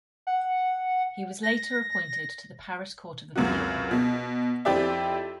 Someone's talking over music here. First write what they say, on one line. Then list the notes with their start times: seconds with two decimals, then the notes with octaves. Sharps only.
He was later appointed to the Paris Court of Appeal.
0.27 F#5
1.43 A#6
3.36 C#2 F#2 C3 F#4
3.91 B2
4.65 F2 C4 E4 G4 D5 E5